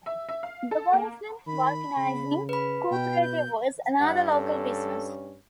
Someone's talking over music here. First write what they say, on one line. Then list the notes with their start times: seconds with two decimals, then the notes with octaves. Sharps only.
The Wollaston Vulcanising Co-Operative was another local business.
0.06 E5
0.29 E5
0.43 F5
0.71 A4
0.93 A#3
1.47 D#3 B5
1.97 C#3
2.49 B4 B5
2.91 B2 G5
3.21 G6
4.00 G2 F#5
4.32 C#4 A4